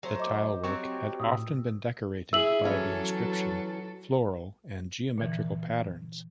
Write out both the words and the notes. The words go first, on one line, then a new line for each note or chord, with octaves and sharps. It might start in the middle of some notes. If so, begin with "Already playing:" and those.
The tile work had often been decorated by the inscription, floral and geometrical patterns.
F#3 A3 C5
D#5 D6
F#3 C4 G4 C#6
A2 D#6 E6
E4 G#4 E5 E6 F#7
E3 F#3 C#4 A4 B4
A#2 D3 E3